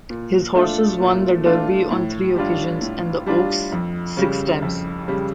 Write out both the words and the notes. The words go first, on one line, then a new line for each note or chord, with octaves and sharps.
His horses won the Derby on three occasions and the Oaks six times.
A#2
A3 D4 F4
A#2
A3 D4 F4
A2
G3 D4 F4
A2
G3 D4 F4
F2
C#3 G3
F2
C#3 G3